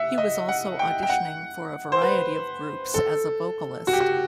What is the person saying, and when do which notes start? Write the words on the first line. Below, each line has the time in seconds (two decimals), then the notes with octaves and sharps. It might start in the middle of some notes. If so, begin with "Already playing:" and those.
He was also auditioning for a variety of groups as a vocalist.
Already playing: E5 F#5
0.18 D#5
0.49 F#5
0.79 G5
1.03 G5
1.10 F#5
1.92 C5
2.02 B4
2.94 A4
3.87 F#4
3.93 G4
4.00 F#4